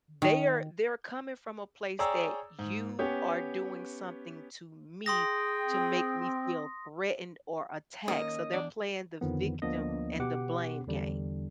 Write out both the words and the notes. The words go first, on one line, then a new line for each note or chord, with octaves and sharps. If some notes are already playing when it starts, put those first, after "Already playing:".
They are they're coming from a place that "you are doing something to me to make me feel threatened or attacked," so they're playing the victim and the blame game.
D#3
G#4 C#5 D5 G5 A#5 E6
G#2
B3 C#4 G4 C#5
G#4 G5 C6 D#6 A#6
C4
D#3 A#3 C#4 D#5
E2 D4
F2 D3 D#3 F3 B3
D2 F3 A#3 B3 D4 D#5
B2 B3 G4 F#5 D6
E2 D3 G3 D4